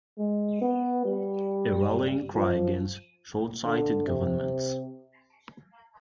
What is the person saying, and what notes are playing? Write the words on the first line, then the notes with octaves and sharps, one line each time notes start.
A rallying cry against shortsighted governments.
G#3
B3
G3
F3
D3
C3